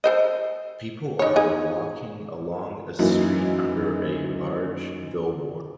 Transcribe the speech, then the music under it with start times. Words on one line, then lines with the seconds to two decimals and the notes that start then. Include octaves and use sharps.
People are walking along a street under a large billboard.
0.04 A4 C5 D#5
1.19 D#4 C#5
1.36 D#4 G#4
2.99 F#2 E3 F#3 A#3 D#4 E4